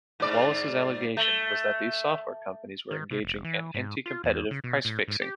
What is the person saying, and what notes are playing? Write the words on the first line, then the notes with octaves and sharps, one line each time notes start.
Wallace's allegation was that these software companies were engaging in anticompetitive price fixing.
G#2 D5
A3
D#3
C3
F1
E3
G#2
F4
E2
C#3
B2
A2
G#2
G4